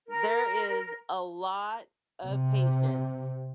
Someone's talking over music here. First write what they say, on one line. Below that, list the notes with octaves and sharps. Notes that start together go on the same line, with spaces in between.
there is a lot of patience
A#4
C3